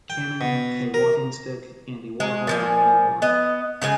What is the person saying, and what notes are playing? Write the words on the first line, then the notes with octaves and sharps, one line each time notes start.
Cannon, Kay WalkingStick, Andy Warhol, and many more.
G5
B2
A#4
G#3
A#2 F3 G#5
B3 D#5
C#3 G#3 A4 G#5